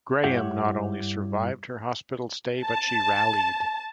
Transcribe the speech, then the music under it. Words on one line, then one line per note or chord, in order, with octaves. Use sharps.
Graham not only survived her hospital stay, but she rallied.
G2 E4 G4 C#5 E5 F#5
A5